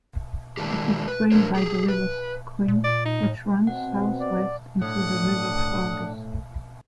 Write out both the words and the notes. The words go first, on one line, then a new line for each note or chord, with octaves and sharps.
It is drained by the River Quin, which runs southwest into the River Fergus.
D#3 G#3 A3 D4 E4 G4
B4
F3 D4 A4 A#4 C5 C#5
G4 G#4
B4
A#2
D5
D#4
A2
B2 C4 F#5
D5
A2 D4 F#5 D#6